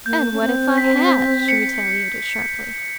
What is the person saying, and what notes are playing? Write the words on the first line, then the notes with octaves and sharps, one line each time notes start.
"And what if I had?" she retaliated sharply.
A#3 G6
C#4
C4
B6
C#7